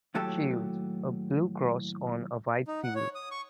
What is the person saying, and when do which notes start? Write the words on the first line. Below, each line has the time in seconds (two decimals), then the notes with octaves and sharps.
Shield: A blue cross on a white field.
0.15 D#2 A2 F#3 G4 A4 A5
2.67 D#4
2.84 F#5
2.95 C#5
3.15 D#6
3.31 C#6